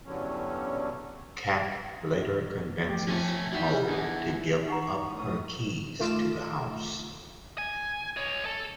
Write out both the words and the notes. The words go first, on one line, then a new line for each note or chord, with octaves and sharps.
Kat later convinces Mo to give up her keys to the house.
E2 G2 D3 F#3 C#4
F3 A3 G4
F3 A3 C4 C#4
G3 D#4 E4 F#4
E2 E3 D4 G#4
D#4 F#5 A#5 C#6
F#2 A2 D#6
D#3 A3 F4 D6 E7
G#5
C#5 D#5
A4